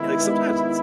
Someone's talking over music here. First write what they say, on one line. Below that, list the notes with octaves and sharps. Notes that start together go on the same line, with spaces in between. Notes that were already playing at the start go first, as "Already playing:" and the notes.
yeah, like, sometimes it's
Already playing: D#3 G#3 B3 E4
D#3 G#3 B3